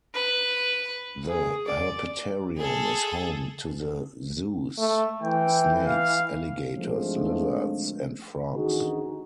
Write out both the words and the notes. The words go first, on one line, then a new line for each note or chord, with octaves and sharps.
The Herpetarium is home to the zoo's snakes, alligators, lizards and frogs.
B4
G#4
D5
G#4 A4
A3
E3 G5
F5
G#1 D3 F3 G#3 A3
A1 D2 D#3 D#4 F#4 G#4